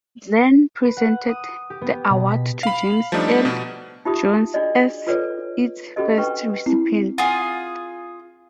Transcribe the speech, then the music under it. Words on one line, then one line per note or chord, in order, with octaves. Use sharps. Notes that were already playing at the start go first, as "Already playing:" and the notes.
Glenn presented the award to James Earl Jones as its first recipient.
B4
F#5
D#6
G4
B3
B2
B6
F5 B5
F3 G3 A3 D4 D#4
B2
D#4 F4 G4 E5 B5 D#6
D4 F#4 G#4 D5 D#5
F4 A4 B4 C#5 D5
C#4 F#4 G4 A4 D#5
D4 B4 G5 C#6
C4 E4
F4 G#4 F#5